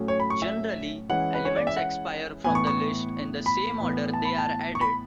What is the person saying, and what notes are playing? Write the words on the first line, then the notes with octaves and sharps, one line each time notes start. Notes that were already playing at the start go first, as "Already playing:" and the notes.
Generally, elements expire from the list in the same order they are added.
Already playing: A2 F#3 A3 C#4
C#5
B5
C#6
E5
E3 G#3 C#4 F#5
B4
C#5
D5
E5
F#5
A2 E3 B3 G#5
C#6
C#6
B5
A2 E3 B3
A5
B5
A5
C#6
B5